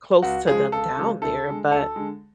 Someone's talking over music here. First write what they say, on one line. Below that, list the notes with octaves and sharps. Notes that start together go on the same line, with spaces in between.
close to them down there. But,
C#2 F#4
C#3 F3 G#3 G#4
C#2 A4
C#3 F3 G#3
D2 A4
D3 G#3
D2 A4
D3 G#3